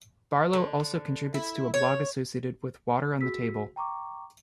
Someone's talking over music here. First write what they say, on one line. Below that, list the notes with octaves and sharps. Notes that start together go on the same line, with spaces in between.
Barlow also contributes to a blog associated with "Water on the Table".
D3
E4
C#5
F#4 G#4 E6 B6
G5 A#5 C#6 D6